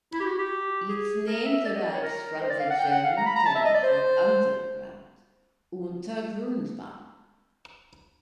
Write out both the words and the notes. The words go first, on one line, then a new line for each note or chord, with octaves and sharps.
Its name derives from the German term for underground, Untergrundbahn.
E4
G4
F#4
G4
G#4
A#4
E5
D5
D#5
D5
C#5
A#4
C5
D5
F5
F#5
G5
F#5
F5
A#5
B5
A#5
A5
E5
D#5
D5
C5